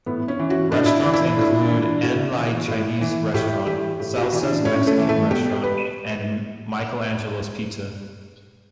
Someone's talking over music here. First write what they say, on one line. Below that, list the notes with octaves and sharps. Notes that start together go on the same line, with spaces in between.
Restaurants include En Lai Chinese restaurant, Salsa's Mexican restaurant, and Michael Angelo's Pizza.
A2 B3
C#4
E3
F#4
A2 D4
E4
D4
E3
E4
D4
A2 E4
D4
E3 E4
D4
A2 F#4
E3
A2
E3
A2 G4
E3 G4
A2 G4
G4
F#4
E3
D4
A2 C#4
A3
E3
A3
B2 G4
B4